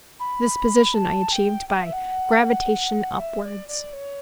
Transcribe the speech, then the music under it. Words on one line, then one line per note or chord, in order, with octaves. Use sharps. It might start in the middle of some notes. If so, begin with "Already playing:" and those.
This position I achieved by gravitation upwards.
B5
A5
G5
G5
F#5
E5
F#5
E5
D5
D5
C#5